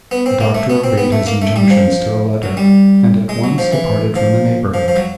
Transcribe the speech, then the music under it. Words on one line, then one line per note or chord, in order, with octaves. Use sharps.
The doctor obeyed his injunctions to the letter, and at once departed from the neighbourhood.
B3
C4
A#3
A3
B3
C4
B3
A3
A#3
A3
G3
F3
F#3
G3
G#3
F#3
F3
E3
F3
F3
F3
F#3